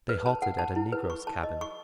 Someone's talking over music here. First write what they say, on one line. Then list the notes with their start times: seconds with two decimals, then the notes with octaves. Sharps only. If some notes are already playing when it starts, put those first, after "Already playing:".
They halted at a negro's cabin.
0.09 B4
0.26 A5
0.42 F#5
0.59 A5
0.76 E4
0.92 B4
1.10 C#6
1.27 A5
1.43 D#5
1.61 C#6